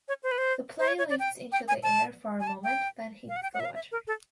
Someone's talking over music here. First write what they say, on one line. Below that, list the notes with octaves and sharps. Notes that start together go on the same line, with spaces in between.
The plane lifts into the air for a moment, then hits the water.
C#5
C5
B4
C5
C5
C#5
C#5
D5
G5
G5
G#5
A5
G#5
A5
G5
F5
F#5
G5
F#5
E5
F5
E5
A#4
A4